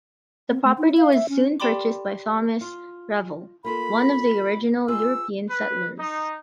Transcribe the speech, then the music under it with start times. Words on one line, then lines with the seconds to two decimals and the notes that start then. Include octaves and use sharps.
The property was soon purchased by Thomas Revell, one of the original European settlers.
0.51 C4
0.64 A3
0.78 D#4
0.97 F5
1.13 E5
1.29 C#4
1.60 G4 D5 G5 B5 C6 D6
2.61 F4
3.65 A#3 F4 A4 B5
4.88 F4 G#4 B4 E6
5.50 B4
5.98 D#4